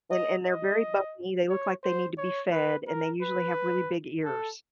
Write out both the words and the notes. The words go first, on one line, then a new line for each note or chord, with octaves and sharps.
and and they're very bumpy, they look like they need to be fed and they usually have really big ears.
D#5
D#5
C#5
C5
C#5
B4
A#4
B4
A4